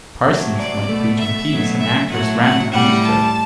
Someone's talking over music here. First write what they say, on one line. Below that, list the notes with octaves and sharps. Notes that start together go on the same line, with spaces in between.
Parsons might preach in peace, and actors rant undisturbed.
C3 F#3 A3
D5
B2 A3
E5
B2 F#3 A3
E5
A2 F#3 A3 F#5
F#5
A2 G3 F#5
A5